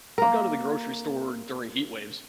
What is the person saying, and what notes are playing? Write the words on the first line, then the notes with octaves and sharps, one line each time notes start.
I've gone to the grocery store during heat waves.
A#3 A#4